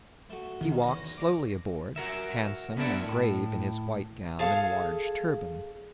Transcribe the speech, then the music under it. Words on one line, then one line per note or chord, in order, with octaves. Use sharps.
He walked slowly aboard, handsome and grave in his white gown and large turban.
A3 F#4
D#3
E2 C#4 A#6
C#5 D5
F#4 A#4 E5
B3 D4 A#4 D5 E5
A2
G#4 A4 F5